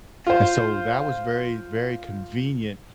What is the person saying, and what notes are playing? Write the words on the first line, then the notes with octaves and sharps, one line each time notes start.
and so, that was very, very convenient,
F4 C5